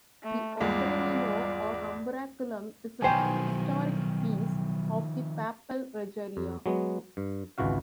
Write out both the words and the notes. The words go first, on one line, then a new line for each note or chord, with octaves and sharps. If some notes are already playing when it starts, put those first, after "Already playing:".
The "ombrellino" or umbraculum is a historic piece of the papal regalia.
A3
G#1 E2 G3 G#3 F4 D5
B1 D#3 F3 C5 G5 G#5
F2
F#3 G#3 B3
G2
G#1 C#2 E3 F#4 F5